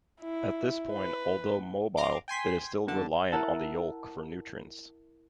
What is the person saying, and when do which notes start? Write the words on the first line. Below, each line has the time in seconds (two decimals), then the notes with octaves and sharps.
At this point although mobile, it is still reliant on the yolk for nutrients.
0.22 E4
0.93 B4
1.97 A#5 C6 D6
2.28 G5 G#5 C6 B6
2.87 E2 G2 D3 A5
3.32 E4 A#4 E5 F#5 A5